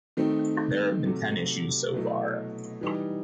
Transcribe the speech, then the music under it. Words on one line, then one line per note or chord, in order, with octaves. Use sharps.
There have been ten issues so far.
D#3 A3 C4 D#4
C3 F#3 A3
B2 F#3 A3 E4
E3 G3 D#4